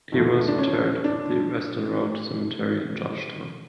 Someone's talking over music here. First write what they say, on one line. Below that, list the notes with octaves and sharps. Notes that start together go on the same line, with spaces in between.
He was interred at the Western Road Cemetery in George Town.
D#2 D3 F3 A3
D4
C#4
D4